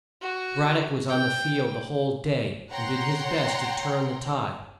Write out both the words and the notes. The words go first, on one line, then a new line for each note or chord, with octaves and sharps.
Brad-dock was on the field the whole day, and did his best to turn the tide.
F#4
G5
C#5 F#5 G5 A#5 C6